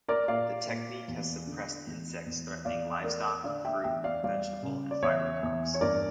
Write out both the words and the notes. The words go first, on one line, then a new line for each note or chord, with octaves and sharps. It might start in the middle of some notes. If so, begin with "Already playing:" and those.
The technique has suppressed insects threatening livestock, fruit, vegetable, and fiber crops.
A#4 D5
A#2 D5 F5
A#2
E2
D3
E2
E2
E2 D5 F5
A3 A#4 D5
D3 D5 F5
E5 G5
E2 E5 G5
D5 F5
G3 D5 F5
C#3
D5
E2 C#5 E5
E2
C#5
G2 A#4 D5